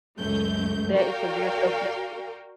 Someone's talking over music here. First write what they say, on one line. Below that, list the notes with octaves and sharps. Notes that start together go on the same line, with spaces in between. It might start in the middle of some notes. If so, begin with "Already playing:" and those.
That is severe self-discipline.
C#2 F#2 A3 G6
F#4 A#4 D5 F5 G5